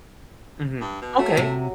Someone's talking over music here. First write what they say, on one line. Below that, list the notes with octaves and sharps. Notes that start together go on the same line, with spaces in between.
Mhm, okay.
G2
B2
F#3 A3
C3